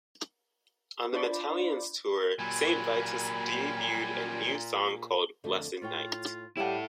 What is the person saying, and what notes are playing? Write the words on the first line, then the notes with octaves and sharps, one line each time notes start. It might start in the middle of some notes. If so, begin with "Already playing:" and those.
On the Metalliance Tour, Saint Vitus debuted a new song called "Blessed Night".
D4 F4 C5 D5 B5
A#2 F#3 G3 G#5 B5
F2 D3 A3
A2 F4 C#5 G5
G3 E4 G4 A4 C#5 F5 F#5